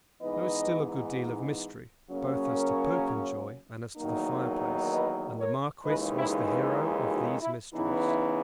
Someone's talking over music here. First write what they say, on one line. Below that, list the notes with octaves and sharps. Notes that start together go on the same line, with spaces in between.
There was still a good deal of mystery, both as to Popenjoy and as to the fireplace, and the Marquis was the hero of these mysteries.
G#2 E3 B3 D#4 B4 D#5
C#3 F#3 A#3 C#4
A#4 C#5
E2 D#3 F#3 A#3 D#4
B4 D#5
A#4 C#5
D#2 C#3 E3 G#3 D#4 B4 D#5
E4 G#4
G#4 B4
D#4 F#4
E4
E2 C#3 E3 B3 D#4 E4
E4